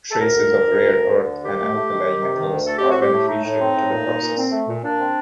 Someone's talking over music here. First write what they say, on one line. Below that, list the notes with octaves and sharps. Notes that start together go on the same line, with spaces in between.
Traces of rare earth and alkali metals are beneficial to the process.
A4
D2 A#4
D2
D2
D2
D2
D2
D3
D2
D#3 G4
A3
A3
D#3
D#3
C3
D#3
D2
A3 A4
C4 G4
F#4
A2 G4
A3
A2 D#4
A2
C4
A2
A#2
A#2
A#2
C4
A3
A#2
A#2 D4
C4